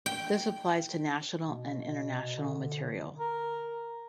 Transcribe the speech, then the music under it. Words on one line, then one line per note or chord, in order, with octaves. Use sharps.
This applies to national and international material.
G5
B2
D3
A#4